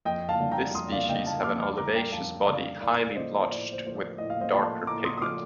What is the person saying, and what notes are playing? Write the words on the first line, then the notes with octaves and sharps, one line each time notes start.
This species have an olivaceous body, highly blotched with darker pigment.
F2 D#5 G5
F5 A5
D3 G3
G5 A#5
F2 C6 D#6
D5 F5
F5
D3 G3 D#5 G5
F5 A5
F2 D6 F6
D6 F6
D3 G3 A#5 D6
G5 A#5
F2 F5 A5
D3 G3 D5 F5
A2 D5 F5
D5
F3 A3 C5 D#5
C5
A2 D5
C5
F3 A3 C5
D5
A2 D#5
F5
C5 D#5
F3 A3 A5 C6
A2 A#5 D6
C6 D#6
D#6
F3 A3 D6 F6